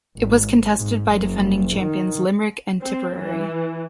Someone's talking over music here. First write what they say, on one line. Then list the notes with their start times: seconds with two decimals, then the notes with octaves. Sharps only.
It was contested by defending champions Limerick and Tipperary.
0.18 G#1
0.76 G#2
1.13 F#1
1.77 D#3
2.82 C4
3.18 E3